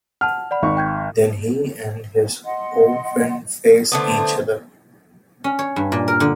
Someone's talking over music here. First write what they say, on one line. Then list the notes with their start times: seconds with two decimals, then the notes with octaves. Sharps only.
Then he and his old friend face each other.
0.21 F#5 A5 F6
0.51 D5 F#5 B5
0.62 G#1 C#6
0.77 G5 G6 G#6
2.45 D#5 F#5 C6
3.92 D3 A3 B3 C5
5.44 C#4
5.59 C#5
5.76 G2
5.92 A#2
6.08 A#4
6.20 D3